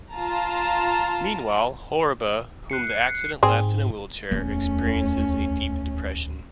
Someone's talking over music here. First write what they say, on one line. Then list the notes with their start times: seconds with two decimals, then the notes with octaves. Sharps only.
Meanwhile, Horiba, whom the accident left in a wheelchair, experiences a deep depression.
0.12 F4 A5 A#5
2.70 F#6 C7 C#7
3.43 G#2 C4 G#4
4.31 D1 E2 A3 C#4